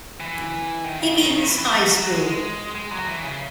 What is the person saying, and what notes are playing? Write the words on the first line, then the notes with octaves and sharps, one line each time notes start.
Higgins High School.
E3
D#3
C#3
D#3
C#3
D#3
E3
E3
F#3
G#3
G#3
G#3
F#3
E3
C#3